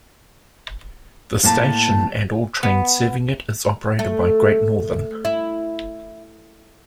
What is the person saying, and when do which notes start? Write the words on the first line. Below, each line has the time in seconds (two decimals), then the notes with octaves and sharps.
The station, and all trains serving it, is operated by Great Northern.
1.43 A2 A#3 A5
2.63 B3
3.99 A3
5.25 E4